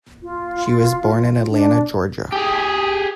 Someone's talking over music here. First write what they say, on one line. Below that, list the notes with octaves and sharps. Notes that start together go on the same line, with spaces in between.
She was born in Atlanta, Georgia.
F4
D4
G4 G#4